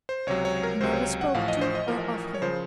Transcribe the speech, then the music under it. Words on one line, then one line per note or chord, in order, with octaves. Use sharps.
He never spoke to or of him.
C5
C#2 C3 F#3 C#5
C#5
A#4
C#2 C3 F#3 C5
C#5
F#5
A1 A2 F3 F5
D#5
C5
D#5
A1 A2 F3 A#4
C#5
C#3 F3 C5